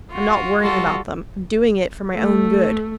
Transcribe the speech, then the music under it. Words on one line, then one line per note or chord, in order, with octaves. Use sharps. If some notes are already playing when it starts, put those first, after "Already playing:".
"I'm not worrying about them; I'm doing it for my own good."
F4 F#4
G3 F4 F#4 A4
A3